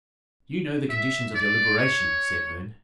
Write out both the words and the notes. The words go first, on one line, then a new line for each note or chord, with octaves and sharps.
"You know the conditions of your liberation?" said Herne.
E5
D5
C#5